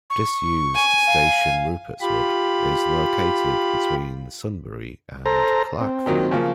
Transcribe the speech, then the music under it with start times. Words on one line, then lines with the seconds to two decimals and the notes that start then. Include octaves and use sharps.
Disused station Rupertswood is located between Sunbury and Clarkefield.
0.10 C#6
0.75 G#5
1.07 F5
2.01 F4 G4 B5
5.26 A4 C5 A#5
5.81 C4
6.06 A#2 D#3 F#3
6.31 C#3 F3 A#3